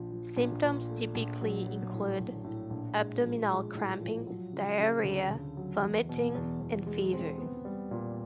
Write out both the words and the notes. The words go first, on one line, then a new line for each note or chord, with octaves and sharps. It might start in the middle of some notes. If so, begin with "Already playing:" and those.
Symptoms typically include abdominal cramping, diarrhea, vomiting, and fever.
Already playing: A#1 F3
F3
A#1
A#2
A3
A#1
F#3
F#3
A2
A#1
A2
A#1
G#3
F3
G#3
A2
F3
F#3
C#3
C#3
D2
D2
F#3
E2
B2
E2
E2
G#3
C4
B3
G3
A#2